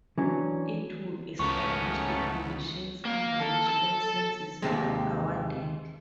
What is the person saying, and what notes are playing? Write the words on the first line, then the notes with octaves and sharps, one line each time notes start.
It would establish the conditions under which licences were awarded.
E3 F#3 C#4 D4
C#2 G#2 A3 B3 C#4 A#4 C#6
A#3
A4
A4
D#2 G#2 C3 G#3